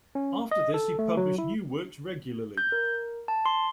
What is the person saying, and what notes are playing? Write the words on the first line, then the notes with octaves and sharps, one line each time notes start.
After this he published new works regularly.
C#4
D#5
A4
A3
F#3
E4
G6
A#4
A5
C6